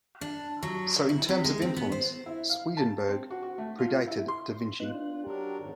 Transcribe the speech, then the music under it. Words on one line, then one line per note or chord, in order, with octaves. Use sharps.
So, in terms of influence, Swedenborg predated da Vinci.
D4
F#3
E4
C3
G#3
C4
B3
C5
E4
F5
A5
C4
F#4
F#4
A3
F4
E4
C6
B3 D#4 F4 F#6
D4
F#3 D4 G4 A#4
F2 G#2 D#3